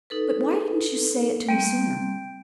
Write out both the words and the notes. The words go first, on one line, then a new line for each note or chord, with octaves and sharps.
"But why didn't you say it to me sooner?"
D#4 A4 B4
G3 A#3 C4 G5